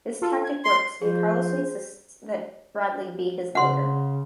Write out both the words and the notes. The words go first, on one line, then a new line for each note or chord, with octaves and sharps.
This tactic works and Carlos insists that Bradley be his lawyer.
F4 A4
G#6
C6
F3 G#4 C5
C#3 F#5 C6